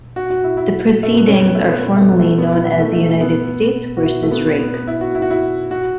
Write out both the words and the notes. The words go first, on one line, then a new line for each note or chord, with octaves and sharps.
The proceedings are formally known as "United States versus Riggs".
F#4
F#4
E4
E4
A3
B3
C#4
B3
A3
B3
B3
A3
B3
A3
B3
E4
E4
A3
A3
A3
B3
F#4
E4
A3
B3
B3
B3
E4
F#4
E4
F#4
E4
F#4